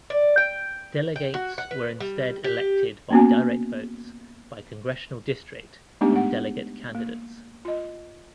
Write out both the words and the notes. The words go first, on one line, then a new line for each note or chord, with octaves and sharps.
Delegates were instead elected by direct votes by congressional district on delegate candidates.
D5
G5
G5
F#4
F#5
B4
G3
G4
A#3 B3 C#4 F#4 G#5
G#3 A3 B3 D4 D#4 G4
F#5
A#3
F4 D#5